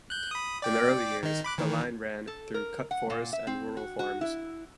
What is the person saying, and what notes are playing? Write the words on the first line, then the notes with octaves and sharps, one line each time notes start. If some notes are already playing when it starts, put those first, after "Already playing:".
In the early years, the line ran through cut forest and rural farms.
F#6 G6
B5 D#6
D5 G5 D6
D#3 D#4
B5 D6 F#6
D#3 E3
A4
A#4
F#5
A#2
E5
C4
F#4
F#4
E4